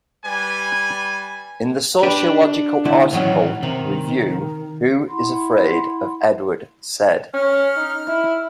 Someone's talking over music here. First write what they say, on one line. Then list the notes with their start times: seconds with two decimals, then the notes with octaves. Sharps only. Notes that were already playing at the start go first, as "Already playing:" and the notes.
In the sociological article, Review: Who is Afraid of Edward Said?
0.24 G3 B4 G#5
2.03 D4 G4 B4 D5
2.85 D3 A3 E4
3.13 A2 D#3 E3 F#3 C#4
3.63 C3 D#3
5.07 E4 F#5 B5 C6
7.34 C#4 F6
7.77 D#4
8.08 E4